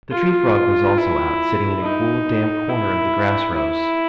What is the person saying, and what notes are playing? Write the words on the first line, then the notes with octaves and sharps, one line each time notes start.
The Tree Frog was also out, sitting in a cool, damp corner of the grass rows.
F4
E4
D#4
E4
E4